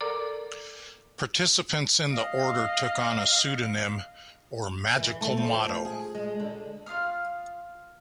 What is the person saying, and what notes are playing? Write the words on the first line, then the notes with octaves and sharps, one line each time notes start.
Participants in the Order took on a pseudonym or "magical motto".
A4 A#4 D5 A#5 D6
D#5 F5
E3
A3
F3
G#4
G#3
D3
F4 F5 D#6 F6